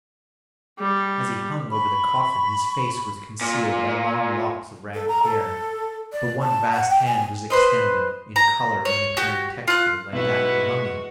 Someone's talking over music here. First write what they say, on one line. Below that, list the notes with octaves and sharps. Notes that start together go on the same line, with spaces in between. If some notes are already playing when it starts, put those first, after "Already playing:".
As he hung over the coffin, his face was concealed by long locks of ragged hair; but one vast hand was extended, in colour and apparent texture like that of a mummy.
G3
B5 C#6
A#2
A4
A#5
A4
D5
A5
F#5
G5
G#5
B4 C5 D#5
A#5
C#5
F#4 G4
F4 F#6
B1 G#3 E4 F#4 B4